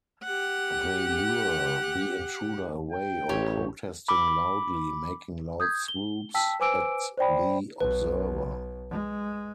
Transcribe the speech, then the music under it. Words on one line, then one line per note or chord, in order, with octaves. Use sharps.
They lure the intruder away or protesting loudly, making loud swoops at the observer.
G4 F#5
G5
A1 G4 C#5
B5 D6
D#6 G6 G#6
G7
G5 A5 E6 B6
B4 C5 G#5 D6 E6 D7
C5 D5 G5 B5
B1 B4
G#3